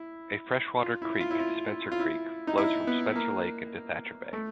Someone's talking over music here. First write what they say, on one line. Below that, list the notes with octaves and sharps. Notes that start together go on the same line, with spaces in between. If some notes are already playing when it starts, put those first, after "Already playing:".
A freshwater creek, Spencer creek, flows from Spencer Lake into Thatcher Bay.
Already playing: E4
F4
E4
F4
E4
F4
F4
E4
D#4
E4
B3
A#3
A3